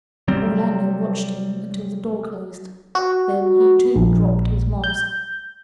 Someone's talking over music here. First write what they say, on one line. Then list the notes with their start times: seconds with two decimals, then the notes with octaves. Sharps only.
Orlando watched him till the door closed, then he too dropped his mask.
0.28 C3 F#3 G3 C4
2.95 F#4
3.96 A#1
4.84 G6